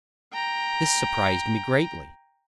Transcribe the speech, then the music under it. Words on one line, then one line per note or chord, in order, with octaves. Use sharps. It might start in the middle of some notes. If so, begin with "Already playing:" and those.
This surprised me greatly.
G5 A#5